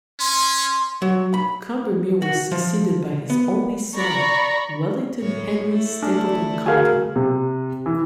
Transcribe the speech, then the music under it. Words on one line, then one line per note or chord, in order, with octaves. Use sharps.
Combermere was succeeded by his only son, Wellington Henry Stapleton-Cotton.
C#4 C6
F#3
B5
F#4
F3
B3
D5 A#5 B5 C#6 A#6
A2 C#5
A3 E4
D4
F#4 G#4 A#4 F5 G#5
C3
E3